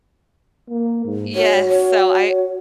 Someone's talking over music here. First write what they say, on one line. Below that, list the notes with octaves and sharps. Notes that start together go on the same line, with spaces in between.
Yes, so I
A#3
G#2
F#4 C#5
C#5